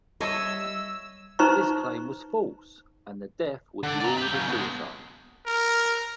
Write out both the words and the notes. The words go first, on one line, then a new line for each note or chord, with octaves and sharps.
This claim was false, and the death was ruled a suicide.
G3 C#5 D#5 E5 E6
D#4 B4 C5 A#5 C#6
D3 D5
D5 A#5
B4 G5
C#3 F#3
B2 G#3
A#4